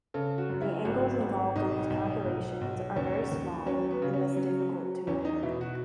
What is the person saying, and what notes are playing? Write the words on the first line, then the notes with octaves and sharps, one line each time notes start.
The angles involved in these calculations are very small and thus difficult to measure.
C#3 A4
F#4
F#2
E4
G#1 F#4
G#1
B1 D#4
B1
B1
B1
D#2 C#4
D#2
F#3 C#4
B3
C#3
C#4
F#3
F#3
E2 C#4
D#4
B2 E4
F#4